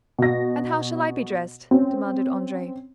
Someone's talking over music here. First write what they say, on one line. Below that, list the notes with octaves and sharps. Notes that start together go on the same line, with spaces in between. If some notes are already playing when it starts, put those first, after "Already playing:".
"And how shall I be dressed?" demanded Andrea.
B2 A#6
C4 C#4